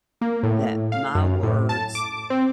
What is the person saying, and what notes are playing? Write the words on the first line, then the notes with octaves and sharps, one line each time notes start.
that my words
A#3
A2
F5
F#2
A2
A5
D6
C4